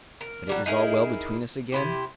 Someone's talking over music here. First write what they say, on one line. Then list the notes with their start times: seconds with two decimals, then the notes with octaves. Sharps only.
"But it is all well between us again?"
0.21 A#4
0.47 F#3 G3 D4
0.66 D#4 E4 G#4 A#4
1.72 C3 E4 G4